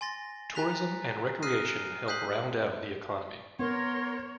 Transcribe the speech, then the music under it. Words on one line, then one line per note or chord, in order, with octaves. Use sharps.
Tourism and recreation help round out the economy.
G#5 C6 A6 A#6
G#5 A#5 F#6 B6 F7
D#6 F6 F#6 A#6 C7 D#7
D#6 F#6 G6 B6 C7 F#7
B3 A#4 C#5 C6